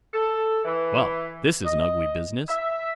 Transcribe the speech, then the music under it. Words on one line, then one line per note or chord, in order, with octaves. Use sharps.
'Well! this is an ugly business!
A4
E3
D#5
E5